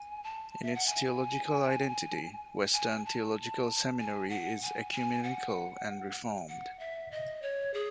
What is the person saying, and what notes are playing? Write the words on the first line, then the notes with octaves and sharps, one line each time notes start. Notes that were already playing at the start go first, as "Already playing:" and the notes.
In its theological identity, Western Theological Seminary is ecumenical and Reformed.
Already playing: G#5
A5
E5
F#5
G#5
G#5
A5
G#5
F#5
G#5
G#5
F#5
F#5
E5
D#5
C#5
G#4